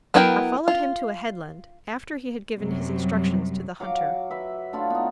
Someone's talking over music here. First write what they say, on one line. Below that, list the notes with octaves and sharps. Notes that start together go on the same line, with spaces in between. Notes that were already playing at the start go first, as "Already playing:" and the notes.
I followed him to a headland, after he had given his instructions to the hunter.
F#3 B3 E4 A#4 G5
F4
F#2 C3 F#3 G3
F#3 F5 D6
B4 E5
A3 D4 E4 F4
B3 D#4